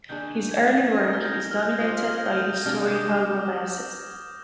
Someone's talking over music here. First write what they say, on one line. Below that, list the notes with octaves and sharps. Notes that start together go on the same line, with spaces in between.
His early work is dominated by historical romances.
D#3 A#3 D4 G#4 G6
G#6
G#6
A#3 D#4 G#4 D#5 A#6
F6
G6
F6
A#3 F4 C5 D#5 D#6
F6
F6
G6
G6
C3 G3 A#3 D4 G4 F6
D6
D#6
F6
G6